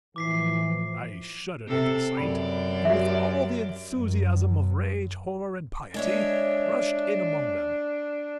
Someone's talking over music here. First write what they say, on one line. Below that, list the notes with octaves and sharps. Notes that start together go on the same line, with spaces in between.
I shuddered at the sight, and with all the enthusiasm of rage, horror, and piety, rushed in among them.
A2 E3 F3 D6 B6 C7
C3 A4
F#2 D5 B5
F#4 G4 E5
F#2
G#3 D4 C#5 E5